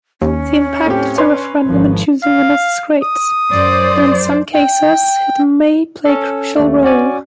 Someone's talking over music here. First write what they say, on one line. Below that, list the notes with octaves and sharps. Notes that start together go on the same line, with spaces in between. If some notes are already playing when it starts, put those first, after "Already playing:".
The impact of the referendum in choosing winners is great, and in some cases it may play crucial role.
D#2 C#4
A2 C4 G4
B4 C#5 C6
G#1 F3
F5
D#6
F#2 C5 D5
G5
C#4 A4
D#2 A3
C#4 F#4 D5 G#5